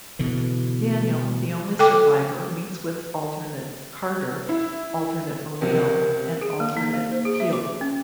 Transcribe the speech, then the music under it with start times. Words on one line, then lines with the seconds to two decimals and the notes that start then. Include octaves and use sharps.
Daniel, the only survivor, meets with alternate Carter, alternate O'Neill and alternate Teal'c.
0.19 B2 D3 E3
1.79 A4 G5 D6
4.49 E4
5.61 C#2 C3 A#4
6.41 G#4
6.60 A#3
6.77 D#4
6.94 A#3
7.11 C5
7.25 G#4
7.40 E5
7.53 D6
7.81 C#4